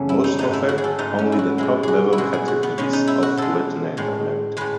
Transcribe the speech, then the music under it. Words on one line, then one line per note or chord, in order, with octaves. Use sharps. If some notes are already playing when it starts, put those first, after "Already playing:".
Most often, only the top-level categories of WordNet are mapped.
Already playing: F#2 C#3 E3 A3 B3 C#4
E4
D#4
G#2 F#3 A3 D#4
E4
F#4
G#4
A4
G#2 F#3 A3 D#4
C#4
E4
F#4
B2 G#3 E4
F#4 G#4
E4
B2 G#3 F#4
G#4
F#4
B3
B2 G#3 C#4
D#4
E4
F#4
B2 G#3 A4
A2 G#3
A2 G#3 B4